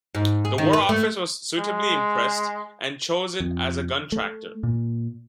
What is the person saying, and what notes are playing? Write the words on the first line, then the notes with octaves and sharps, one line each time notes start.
The War Office was suitably impressed and chose it as a gun-tractor.
G#2
G#4
D#3
B4
A3
G#3
F2
A3
A#2